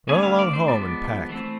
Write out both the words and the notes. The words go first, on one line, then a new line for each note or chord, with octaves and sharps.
Run along home and pack.
D3 A3 C4 G#5
F5
D5
C5
F3 G#3 B3 D5
E3 A3 C4